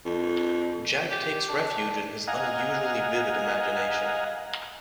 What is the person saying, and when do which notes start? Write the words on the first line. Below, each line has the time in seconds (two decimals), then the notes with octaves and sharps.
Jack takes refuge in his unusually vivid imagination.
0.05 F2
1.11 G4
1.49 D4
2.28 D#5 F5 F#5 G#5 A#5